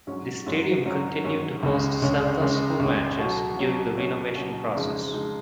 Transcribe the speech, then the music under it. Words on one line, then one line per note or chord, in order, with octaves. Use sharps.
The stadium continued to host Celta's home matches during the renovation process.
G#2 F#3 C#4
G#2 F#3 C#4
G#2 F#3 C#4
G#2 F#3 C#4
C#2 C#3 G#3 C#4
C#2 C#3 G#3 C#4
C#2 C#3 G#3 C#4
C#2 C#3 G#3 C#4
B2 F#3 C#4 F#4
B2 F#3 C#4 F#4
B2 F#3 C#4 F#4
B2 F#3 C#4 F#4
F2 C#3 G#3 D#4 G#4
C#3 G#3 D#4 G#4